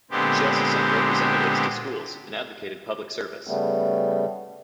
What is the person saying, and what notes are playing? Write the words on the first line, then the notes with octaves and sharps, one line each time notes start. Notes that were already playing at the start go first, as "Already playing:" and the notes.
She also sent representatives to schools and advocated public service.
A#2 D3 G#3 B3 C4 G4
C#3 G3 A3 B3